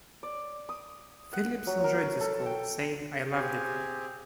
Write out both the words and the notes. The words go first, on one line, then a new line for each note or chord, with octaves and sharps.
Phillips enjoyed the school, saying, I loved it.
D5
D#6
F#5
F#3
A#4
A4
G5
C4 G4 G#4